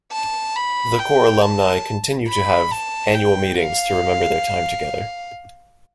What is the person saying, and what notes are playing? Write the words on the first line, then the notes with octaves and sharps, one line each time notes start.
The corps alumni continue to have annual meetings to remember their time together.
A5
B5
G5
A5
B5
A5
G5
F5